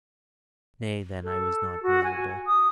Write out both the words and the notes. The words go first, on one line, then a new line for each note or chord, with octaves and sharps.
Nay, then I was not miserable.
A4
F#4
G#5
D#6